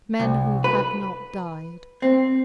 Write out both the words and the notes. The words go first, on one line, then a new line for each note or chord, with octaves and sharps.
Men who had not died!
C2
B4
C4